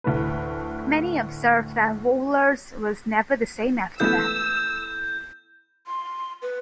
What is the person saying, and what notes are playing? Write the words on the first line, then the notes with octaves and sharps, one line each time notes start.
Many observe that Wohlers was never the same after that.
D2 A2 A3 B4
E3 A3 B3 E6 G6
C6
B4